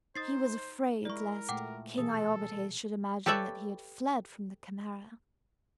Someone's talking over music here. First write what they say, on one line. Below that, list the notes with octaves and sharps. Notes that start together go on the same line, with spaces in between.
He was afraid lest King Iobates should imagine that he had fled from the Chimaera.
D#4 C5 D#6 A6 C7
G#3 E4 A#4 D5 C#6
A#2 A3 F#5 G5 D6
B2 E3 G#4 A4 D#6
G4 A4 B4 C#5 D5 E5